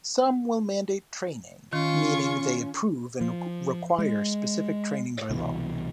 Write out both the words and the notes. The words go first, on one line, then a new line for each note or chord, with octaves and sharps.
Some will mandate training, meaning they approve and require specific training by law.
D#3 C#4 F4 C#6
F3
G#3
C2 B2 D3 E3